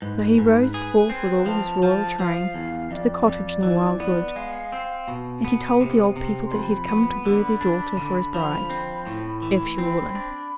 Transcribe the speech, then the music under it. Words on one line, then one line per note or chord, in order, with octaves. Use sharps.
So he rode forth with all his royal train to the cottage in the wild wood; and he told the old people that he had come to woo their daughter for his bride--if she were willing.
G#2 B4
G#2
G#4
C4
F3 A5
F3 A5
F3 F5
E2
F2 D5
F2
E3
B3
G#3 F5
C4
B2
B3
C3
C3
C6
F2 B5
B3
D3
D4
D3
F3
C4
A2
E3 B5
C4
D4